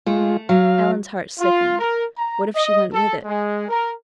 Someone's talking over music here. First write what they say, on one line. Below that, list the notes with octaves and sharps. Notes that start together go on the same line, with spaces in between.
Alan's heart sickened; what if she went with it?
G#3 A3 F4
F#3 F5
F4
A#4
A#5
D#5
A4
G#3
A#4